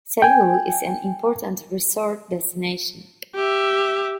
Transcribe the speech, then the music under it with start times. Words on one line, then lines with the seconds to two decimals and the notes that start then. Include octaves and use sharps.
Salou is an important resort destination.
0.22 G5 G#5
3.35 G4 E5